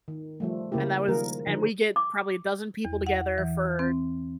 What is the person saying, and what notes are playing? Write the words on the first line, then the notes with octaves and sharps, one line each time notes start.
And that was and we get probably a dozen people together for
D#3
F3 G3 A3
C#3 G#3 A#3 E4 G4
D#3 F3 G3 A#3 G#4 A#4
D3 F3 D#4
D6
E2
F#5
E3
C4